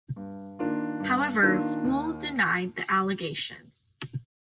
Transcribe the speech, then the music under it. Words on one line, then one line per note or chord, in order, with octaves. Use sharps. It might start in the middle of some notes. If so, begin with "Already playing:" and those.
However, Gul denied the allegations.
G2
D#3 A#3 D4 F4
G2
D#3 A#3 D4 F4
D#2